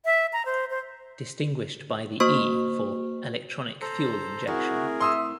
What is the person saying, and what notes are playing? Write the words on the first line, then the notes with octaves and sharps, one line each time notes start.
Distinguished by the "E" for "Electronic Fuel Injection".
E5
A#5
C5
C5
A#3 F#4 C5 C#6
A4 C5 A#5
A3 C4 E4 F#4 G#4 A#4
E5 C6 D#6 E6